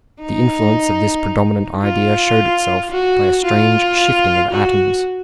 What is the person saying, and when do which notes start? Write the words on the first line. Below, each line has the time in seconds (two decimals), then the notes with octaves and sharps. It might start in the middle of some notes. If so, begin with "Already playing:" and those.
The influence of this predominant idea showed itself by a strange shifting of atoms.
0.21 D#4
1.83 F4
2.91 F#4
3.45 F4
4.52 F#4